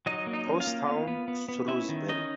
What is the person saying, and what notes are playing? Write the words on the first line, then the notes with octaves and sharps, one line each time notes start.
Post town, Shrewsbury.
F#3 D#4 D#5
A#3
D#4 D#5
C#4
F4 F5
A#3
B3
B3
B3
B3
C#4 E4 E5
D#3
C#4 D#4 D#5